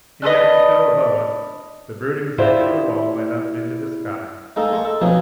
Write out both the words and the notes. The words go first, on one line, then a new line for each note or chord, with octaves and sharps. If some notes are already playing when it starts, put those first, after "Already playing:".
And yet still above us the brooding circular wall went up into the sky.
D4 A4 B4 D#5
E4 F4 G4 C5 D5 E5
G#3 A#3 D#4 A4
G#3 C#6
A4
B2 F3 F#3 C4 D#4 G#4